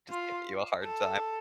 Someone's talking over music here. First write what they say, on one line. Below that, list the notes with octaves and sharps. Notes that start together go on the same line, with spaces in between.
just give you a hard time.
F4
A4